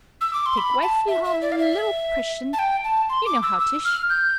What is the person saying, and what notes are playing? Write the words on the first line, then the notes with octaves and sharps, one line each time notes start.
Take wifely home li'l preshent--you know how 'tish.
E6
D6
C6
B5
A5
E5
E5
D5
F5
E5
A5
G5
A5
C6
D6
E6
E6
F6
G6